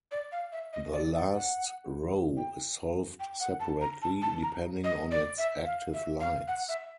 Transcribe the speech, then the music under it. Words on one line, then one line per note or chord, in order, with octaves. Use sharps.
The last row is solved separately, depending on its active lights.
D5
F5
E5
D#5
D5
D5
F#5
G5
G5
F#5
A5
A#5
A5
A5
A#5
D#5
D5
E5
F5
E5
F5
F#5
E5